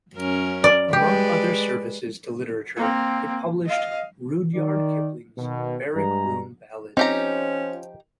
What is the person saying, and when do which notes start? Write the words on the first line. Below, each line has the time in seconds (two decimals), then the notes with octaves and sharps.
Among other services to literature it published Rudyard Kipling's "Barrack-Room Ballads".
0.14 F#2 C#4 A#4
0.64 D5
0.93 G#3 G4 B4 D5
2.77 A#3 C4
3.65 D#5 F5
4.55 D#3 D5
5.37 B2 D#3
5.94 G2 G#3 A#5
6.97 F3 C4 C#4 D#4 G4 A#5